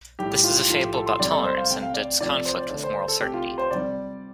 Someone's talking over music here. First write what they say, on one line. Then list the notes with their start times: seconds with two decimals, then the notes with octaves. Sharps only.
This is a fable about tolerance, and its conflict with moral certainty.
0.19 A2 G3 G4
0.31 G4
0.44 F4
0.56 G4
0.69 A2 F3 A3 F4
0.81 G4
0.94 A4
1.06 C6
1.19 C3 G3 D5
1.31 A4
1.44 C5
1.57 F5
1.70 C3 A3 G5
1.82 F5
1.94 D5
2.20 C3 F3 A3 D5
2.33 A4
2.45 C5
2.58 D5
2.70 D3 A3 D5
2.83 C5
3.08 A4
3.20 C3 A3 G4
3.34 F4
3.45 G4
3.58 C5
3.71 C3 G3 D5